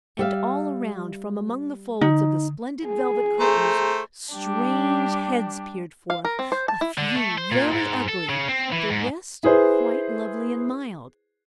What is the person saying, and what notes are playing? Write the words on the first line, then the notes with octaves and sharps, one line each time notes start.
And all around, from among the folds of the splendid velvet curtains, strange heads peered forth; a few very ugly, the rest quite lovely and mild.
G3 E5 F5
D3 D#4
G#4
A3 C5 A#5
G3 D4 G4
F5
A#4
C4
C5
A5
E4
D3
A3
C5
A#2
G#2
A4
C#3
C4
E3
G#2
E4 G#4 B4 C5